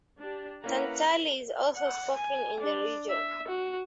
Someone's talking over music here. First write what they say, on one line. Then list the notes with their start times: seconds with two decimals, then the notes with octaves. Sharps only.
Santali is also spoken in the region.
0.21 D4 G4
0.64 A#3 C#4 E4 B4 F#5 A#5
1.76 F#5
2.16 G#5
2.60 D4
3.10 E5
3.48 F#4